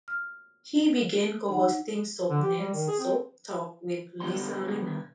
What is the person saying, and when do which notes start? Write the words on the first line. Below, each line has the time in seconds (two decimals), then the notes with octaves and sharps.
He began co-hosting Soapnet's "Soap Talk" with Lisa Rinna.
0.08 F6
1.49 D#4 F#5
2.30 D3
2.43 G4
2.58 G3
2.73 D#3
2.88 G#4
2.99 C4
4.20 B2 D3 G3 B3 G4 C6